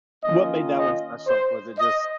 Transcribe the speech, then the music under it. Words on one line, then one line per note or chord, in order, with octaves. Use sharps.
What made that one special? Was it just
D#3 A#3 C#4 F4 D#5
D#5
C5
D#5